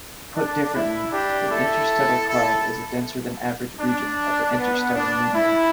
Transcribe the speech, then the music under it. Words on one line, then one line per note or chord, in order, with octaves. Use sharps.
Put differently, an interstellar cloud is a denser-than-average region of the interstellar medium.
D4
E4
D4 G4
E4 A4
E4 A4
D4
B3
D4
E4